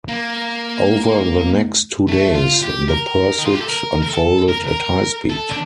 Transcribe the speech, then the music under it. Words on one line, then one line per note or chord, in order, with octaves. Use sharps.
Over the next two days the pursuit unfolded at high speed.
A#3
A3
F4
G4
A#4
D#4
F4
G4
A4
A#4
A#4
A4
A#4
A#4
A4
D4